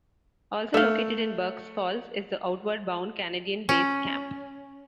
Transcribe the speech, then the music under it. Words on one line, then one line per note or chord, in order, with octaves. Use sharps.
Also located in Burk's Falls is the Outward Bound Canadian Base Camp.
A3 E5 F5
C#4